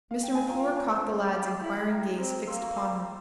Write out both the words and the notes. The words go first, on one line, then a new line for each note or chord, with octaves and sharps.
Mr. McClure caught the lad's inquiring gaze fixed upon him.
F5
G5
G#5
F4 G5 A#5
F5
G5
F5 G#5
C5
C#5
G4 C#5 F5
E4
G5 A#5
C4
A#3 C6 E6
A#5 C#6
C6 E6